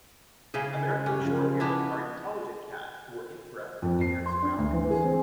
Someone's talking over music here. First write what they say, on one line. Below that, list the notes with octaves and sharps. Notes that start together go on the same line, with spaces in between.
American Shorthairs are intelligent cats who are interested in their surroundings.
C#3 E4 G#4
C#4 G4
C#3 F3
B3 D4 E4
F2
C7
C6
D4
D2
E3
G#4
C4